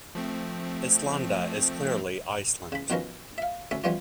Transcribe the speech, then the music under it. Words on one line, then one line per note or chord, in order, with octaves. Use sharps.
"Islanda" is clearly Iceland.
F3 A3 C4
C#3 B5
B2 D#3 F3 C#4 A#4 B4
E5 F5
D2 C#4 A4 E5
E3 F3 G3 B3 C#4 F4